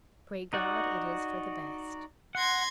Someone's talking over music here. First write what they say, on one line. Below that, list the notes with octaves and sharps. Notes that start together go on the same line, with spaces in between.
"Pray God it is for the best."
D#4 F#4 D5
F#5 C6 G#6 A#6